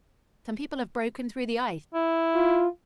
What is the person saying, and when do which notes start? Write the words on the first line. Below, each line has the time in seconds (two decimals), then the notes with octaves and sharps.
Some people have broken through the ice.
1.94 E4
2.35 F4